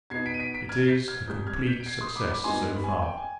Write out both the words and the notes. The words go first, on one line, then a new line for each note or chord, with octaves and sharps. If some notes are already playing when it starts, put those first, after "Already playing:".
It is a complete success so far.
B2 B3 D#4 G#6 C7
B6 D7
D#7
B6 D7
B6 D7
F6 G#6
C7
G6 B6
F6 G#6
C2 C3 G3 D#6 G6
F6 G#6
G6 B6
D7
G#6 C7
C6 D#6
B5 D6
B5 D6
G#2 G3 B3 D#4 G#5 C6
B5
G#5
G5
G#5